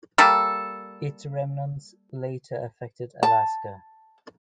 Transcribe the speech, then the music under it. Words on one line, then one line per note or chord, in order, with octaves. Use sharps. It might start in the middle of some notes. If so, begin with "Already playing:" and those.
Its remnants later affected Alaska.
G3 A#3 A4
A5